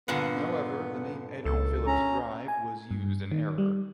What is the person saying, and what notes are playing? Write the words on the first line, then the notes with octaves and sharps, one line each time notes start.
However the name "Edwin Phillips Drive" was used in error.
G2 A#2 D3 B3
C#2 A4
C#4 A#5
G#5
G2
D#3
G3